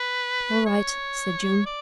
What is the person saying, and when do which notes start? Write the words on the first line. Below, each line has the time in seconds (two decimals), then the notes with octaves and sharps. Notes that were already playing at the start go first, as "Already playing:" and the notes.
"All right," said June.
Already playing: B4
0.66 C#5
1.66 D5